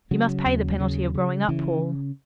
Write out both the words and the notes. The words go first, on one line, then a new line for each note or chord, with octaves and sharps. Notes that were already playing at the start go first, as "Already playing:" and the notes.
You must pay the penalty of growing-up, Paul.
C#3 F#3
D#2
C#3
C#3
C#3 E3